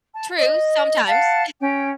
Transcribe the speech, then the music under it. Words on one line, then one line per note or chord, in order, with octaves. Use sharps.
True, sometimes.
A5
D#5
F5 F#5 A5
C#4 G5